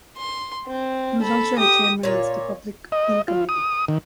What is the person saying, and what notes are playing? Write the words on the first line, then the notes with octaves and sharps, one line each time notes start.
He was also a Chairman of the Public Bill Committee.
C6
C4
A4 B5
G4 D#6
A#2 C#5
D#5
F4
D#6
D#3